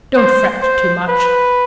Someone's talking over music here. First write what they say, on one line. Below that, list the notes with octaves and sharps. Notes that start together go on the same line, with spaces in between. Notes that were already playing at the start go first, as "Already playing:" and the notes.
Don't fret too much.
C5
C5
B4